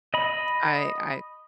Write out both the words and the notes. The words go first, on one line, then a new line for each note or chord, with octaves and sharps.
I I
D#5 B5